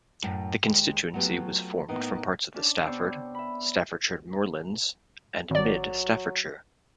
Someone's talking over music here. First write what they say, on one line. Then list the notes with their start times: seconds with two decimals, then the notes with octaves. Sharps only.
The constituency was formed from parts of the Stafford, Staffordshire Moorlands and Mid Staffordshire.
0.23 F#2 A2
0.64 D#2 G#3
1.14 F#3 A3 B3 F4 G4
1.88 A2 A#3 B3 D#4
2.54 C#4 D4 A5
2.84 C3 B3 C5 D5 C#6 E6
3.35 E5 B5
5.51 G#1 F#3 D5